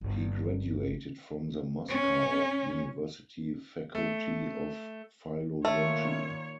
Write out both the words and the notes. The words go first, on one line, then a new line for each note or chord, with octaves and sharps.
He graduated from the Moscow University faculty of philology.
G1 G2
C#4
A3
A#2 D#3 A3 C#5